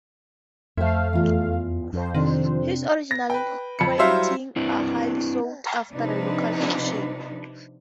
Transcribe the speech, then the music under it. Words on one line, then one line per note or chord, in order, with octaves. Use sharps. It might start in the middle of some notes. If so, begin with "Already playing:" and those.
His original praintings are highly sought after at local auctions.
F2 A3 C5 E5 F5
E2 F4
F2 C5
C3 D#3 C4 D4
A#6
B4 G5
F2 B5 C#7
F#3 G3 E4 C5 E5 F5
C4 D4 E4 B4
C3 F3 C4 D4 D#4 B4